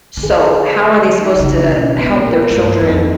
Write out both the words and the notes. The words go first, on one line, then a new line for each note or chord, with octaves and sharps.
so, how are they supposed to help their children
D#3
D3 G#4
D#4
D3
C#3 D#4
D4
B2
C#4
A#2 B3
A#3
A2
A#3
G#2
G2
E2
F2